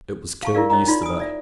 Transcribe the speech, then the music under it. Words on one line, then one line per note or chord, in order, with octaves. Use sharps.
It was killed yesterday.
F5 A5 C#6
E4 G4 A#4 D5 F5
C#5 D#5 G5 A#5
D#4 F4 D5 C6
G#5 D#6
D5 E5